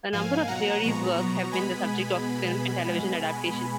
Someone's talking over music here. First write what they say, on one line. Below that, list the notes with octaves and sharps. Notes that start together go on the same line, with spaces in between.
A number of Cleary's works have been the subject of film and television adaptations.
G#2 F3 A#3 F5 G#5
B2 F#3 A#3 F#5 A#5
A#2 F3 G#3 B3 A#5 C#6
B2 F#3 B3
B2 G#3 B3 G#5 B5